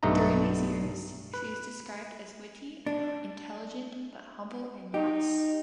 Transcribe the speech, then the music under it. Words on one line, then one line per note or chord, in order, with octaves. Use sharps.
During these years she is described as witty and intelligent but humble and modest.
B1 G2 A3 D#4 A#5
B4
D4
D#4 G4